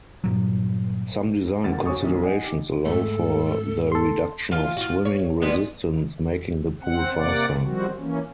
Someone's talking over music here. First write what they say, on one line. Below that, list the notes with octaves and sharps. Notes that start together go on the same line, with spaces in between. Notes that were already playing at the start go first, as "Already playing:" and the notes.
Some design considerations allow for the reduction of swimming resistance making the pool faster.
G2 A#2 F#3
F1 D2 C3 A#4 F#5 A6
F#4 C#5 G#5 C#6 D#6
A#1 D#3 F#3
D#5 F#5 G#5
D#4 G4
G#2 A3 A4
A4 C6
E3 F4 F5
F4 F#4
C#5
G3 G#3 B3
C4 F#5
C3 A#3 D5 F#5
D#3 F3 G3 C4 F#4
E3 A#3 C#4